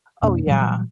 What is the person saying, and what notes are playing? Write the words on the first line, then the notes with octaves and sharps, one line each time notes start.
Oh, yeah.
F2 B2 A#3 D4
A#2 E3 F#3 G3